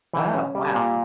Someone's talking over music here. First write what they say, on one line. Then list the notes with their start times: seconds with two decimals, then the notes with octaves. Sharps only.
Oh, wow.
0.13 E3
0.34 C#4
0.55 G3
0.75 A#2